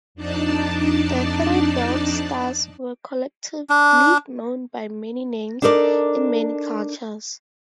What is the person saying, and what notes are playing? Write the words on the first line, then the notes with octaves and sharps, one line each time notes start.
The three belt stars were collectively known by many names in many cultures.
F2 D4 D#4 D5 A5
D4
D4 D#4 A4 A#4 D5